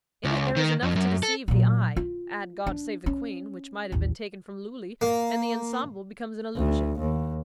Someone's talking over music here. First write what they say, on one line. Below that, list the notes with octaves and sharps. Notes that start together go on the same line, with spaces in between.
In it there is enough to deceive the eye; add God save the Queen, which might have been taken from Lulli, and the ensemble becomes an illusion.
C#2
D#3
F2
F#2
A4
A#2 F#3
F4
D4
C#4
A1 D#2
A#3
D2
D#2